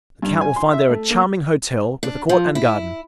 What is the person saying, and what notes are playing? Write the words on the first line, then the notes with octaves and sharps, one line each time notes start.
"The count will find there a charming hotel, with a court and garden."
G2
G#5
C6
E5
A3
A#3
D4
F3
E4